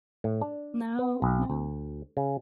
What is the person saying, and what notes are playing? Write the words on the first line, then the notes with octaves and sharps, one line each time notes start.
No. No.
A2
D4
B3
B1
D2
C#3